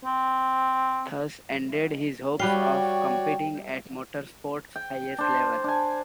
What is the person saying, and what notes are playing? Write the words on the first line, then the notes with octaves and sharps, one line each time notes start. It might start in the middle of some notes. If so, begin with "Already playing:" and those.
Thus ended his hopes of competing at motor sport's highest level.
C4
G3 F#4 B4 C#5 D5 F5 G5
G5
D4 C5
D4 G#5